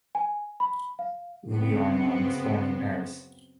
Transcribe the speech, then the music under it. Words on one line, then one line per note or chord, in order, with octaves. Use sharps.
Louis Armand was born in Paris.
G#5
B5
F5
F#2 C#3 B3 C4